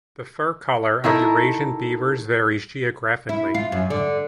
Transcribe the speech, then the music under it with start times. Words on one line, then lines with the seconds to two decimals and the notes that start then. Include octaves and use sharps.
The fur colour of Eurasian beavers varies geographically.
1.04 D#3 E4 A4 A#4
3.29 E4
3.54 F4
3.72 F#2
3.90 D3